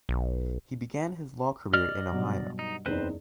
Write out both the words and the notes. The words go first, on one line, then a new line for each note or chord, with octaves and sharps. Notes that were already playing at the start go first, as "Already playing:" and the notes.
He began his law career in Ohio.
B1
D5 D#5 F6
G2 B2 F#3
D#4
F#1 E2 C4 D#4 B4 C5